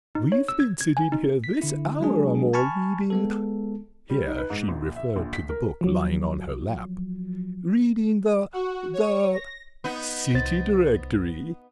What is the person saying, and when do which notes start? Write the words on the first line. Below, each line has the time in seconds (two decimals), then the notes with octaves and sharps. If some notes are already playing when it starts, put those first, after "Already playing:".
"We've been sitting here this hour or more, reading--," here she referred to the book lying on her lap, "--reading the--the City-Directory."
0.15 D#4
0.32 C#5
0.48 E6
0.60 G#6
0.81 G#6
0.97 G#5
1.12 D#4
1.44 B6
1.62 D3 E4
2.00 F#3 G#3 D4 G#4
2.53 G#5 A5 B5 C#6 F6
3.10 G#3 B3 A4
4.10 G3
4.27 D#4
4.38 B4
4.50 G#2
4.68 A#1
4.96 E5
5.16 A#1
5.33 B6
5.49 A#4
5.81 F3 F#3
8.53 F#4
8.93 C#5
9.32 A#6
9.84 B3 D#4
10.34 C2 C5 A6